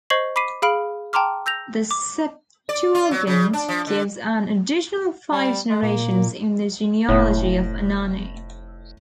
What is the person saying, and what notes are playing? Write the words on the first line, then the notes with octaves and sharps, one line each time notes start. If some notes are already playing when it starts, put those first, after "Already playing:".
The Septuagint gives an additional five generations in the genealogy of Anani.
C5 D#5 C#6 G#6 C7 F#7
B5 D6 B6 C7 D#7
G#4 F5 B5 F6 D7 F#7
G5 A5 A#5 C6 D6 F6
E6 G6 A#6 F7
D6
D5
F4
F#3
C#3
D4
F3
D3
G3
G#3
A#2 A#3
F1 A2